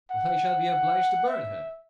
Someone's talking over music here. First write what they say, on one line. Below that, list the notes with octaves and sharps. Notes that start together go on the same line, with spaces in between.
"But I shall be obliged to burn her."
F#5
E5